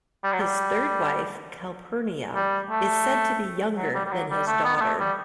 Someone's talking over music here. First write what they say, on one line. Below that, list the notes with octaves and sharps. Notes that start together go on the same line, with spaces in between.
His third wife Calpurnia is said to be younger than his daughter.
G3
F#3
G3
G3
A3
F#3
G3
G3
F#3
G3
A3
B3
B3
A3
G3